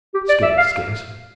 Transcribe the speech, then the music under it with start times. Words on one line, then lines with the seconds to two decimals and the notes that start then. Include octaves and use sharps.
Scarce, scarce!'
0.14 G4
0.29 D5
0.43 E5
0.58 F5